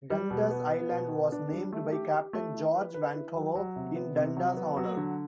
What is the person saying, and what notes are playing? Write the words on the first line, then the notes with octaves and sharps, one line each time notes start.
Dundas Island was named by Captain George Vancouver in Dundas' honour.
G3
B2
B3
B3
B2
B3
D4
G3
A3
G4
G4
A3
E4
B4
B4
E4
F#3
F#3
C3
B3
C3
F#3
B3
F#3
D3